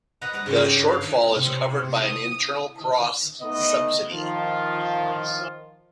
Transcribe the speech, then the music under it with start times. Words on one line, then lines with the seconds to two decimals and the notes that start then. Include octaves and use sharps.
The shortfall is covered by an internal cross subsidy.
0.21 B4 D#5 F#5 A#5
0.33 B4 D5 F#5 A#5
0.46 G#2 C#3 C#4 G4
0.60 G4
0.76 G2
0.92 F5
1.32 C3
1.97 D#6
3.41 A3 B3 D#4 D#5
4.11 D#3 F3 F4